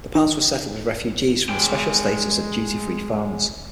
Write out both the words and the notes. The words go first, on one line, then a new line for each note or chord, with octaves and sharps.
The parts were settled with refugees with the special status of duty-free farmers.
D#4
G#3 G5